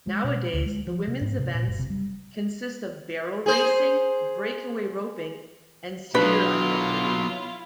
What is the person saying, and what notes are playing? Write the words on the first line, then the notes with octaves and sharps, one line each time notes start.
Nowadays the women's events consist of barrel racing, breakaway roping and steer undecorating.
G#3
B2
D2
G#3
F3
C3
G#2
C3
A#2
F#1
C3
G3
G#4 C5
B2 F#3 D4 E4 F4 B4